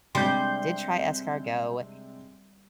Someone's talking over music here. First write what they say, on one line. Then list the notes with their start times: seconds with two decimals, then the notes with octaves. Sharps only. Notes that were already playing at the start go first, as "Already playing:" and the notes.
did try escargot,
0.15 C3 G3 G#3 D4 C6 G6